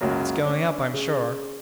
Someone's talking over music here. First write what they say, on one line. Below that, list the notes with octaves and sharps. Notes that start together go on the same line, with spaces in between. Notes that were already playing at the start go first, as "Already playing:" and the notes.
"It's going up; I'm sure."
C#2 F#2 F#3 A#3
C#4 D4
C#3